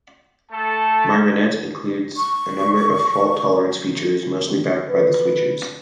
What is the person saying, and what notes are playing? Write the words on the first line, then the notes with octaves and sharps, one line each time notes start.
Myrinet includes a number of fault-tolerance features, mostly backed by the switches.
A3 A4 A5
C#6
B4